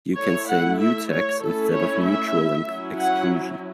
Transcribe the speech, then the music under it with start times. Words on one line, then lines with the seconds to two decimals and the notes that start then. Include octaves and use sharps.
You can say mutex instead of mutual exclusion.
0.17 A3 E4 C#5
0.48 F#5
0.79 E5
1.11 C#5
1.42 A3 C#4 E4 A4
1.73 C#5
2.05 E5
2.67 F#3 C#4 E4
2.98 F#5